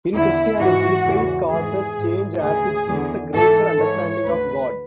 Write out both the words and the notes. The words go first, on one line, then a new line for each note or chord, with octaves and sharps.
In Christianity, faith causes change as it seeks a greater understanding of God.
E2 D3 E4
G#2 E3 F#4
E2 C#3 E3
G#2 E3 G#4
G#2 E3
D2 C#3 E3 G#4
E2 D3
G#2 E3 A4
G#2 E3 C#5
D2 D3 B4